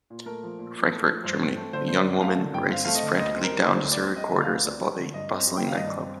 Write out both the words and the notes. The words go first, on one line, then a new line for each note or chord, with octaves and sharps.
Frankfurt, Germany: A young woman races frantically down deserted corridors above a bustling nightclub.
A#2
A3 A#4
F3
A#2
A#2
A3
F3
G2 C5
C4
A3
D3 C5
G2 C5
D5
C4
A3 F5
D3
G2 G5
C4 F5
A3 F5
D#5
D3
D2 D#5
C4
A#4
G3
D3 C5
D2
D5
C4
G3 D#5
D3
F5
D2
C4 D5
G3
D3
G2 D#5
C4
G3
G5
D#3 F5
G2 D#5
D5
C4